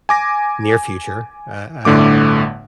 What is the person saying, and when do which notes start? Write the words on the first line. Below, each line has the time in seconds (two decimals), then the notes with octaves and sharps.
near future, uh, I
0.09 G#5 D6 A#6
1.85 G1 A2 D3 A3 D6